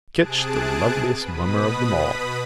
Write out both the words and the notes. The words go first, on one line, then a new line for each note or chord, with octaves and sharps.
Kinch, the loveliest mummer of them all!
C3 G#4 A5 F#6 D7
B2 B4 B5 D#6